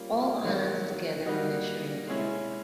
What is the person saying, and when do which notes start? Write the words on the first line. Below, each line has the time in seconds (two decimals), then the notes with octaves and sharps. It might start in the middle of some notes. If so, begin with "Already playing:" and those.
All islands together measure in area.
Already playing: G3 A#3 C#4 F4
0.44 D#3 F#3 A#3
1.26 G3 A#3 D#4 F#4
2.07 G#3 C#4 E4